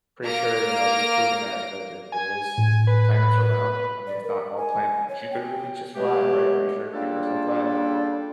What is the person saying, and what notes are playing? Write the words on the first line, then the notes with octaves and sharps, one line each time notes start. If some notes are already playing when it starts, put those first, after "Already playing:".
pretty sure, you know, we've proven that that there there is the planet's are round. I mean, if not all plan that Jupiter would be just flat, right? Pretty sure Jupiter's not flat.
A#3 F6 A#6 D7
G#5
A2
B4
D5
A#4
G#5
C#5
G5
B2 F#3 G#3 A3 G4
C#3 G3 A#3 D4 F4 A4